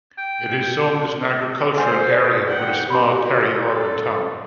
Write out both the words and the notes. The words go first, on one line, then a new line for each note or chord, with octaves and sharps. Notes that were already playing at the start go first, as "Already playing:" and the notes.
It is zoned as an agricultural area, with a small peri-urban town.
G5
A3 C5 F#5 G#5 C6
D5
F#5 G5
F#4 G4 B5 C6 D6
D6
A4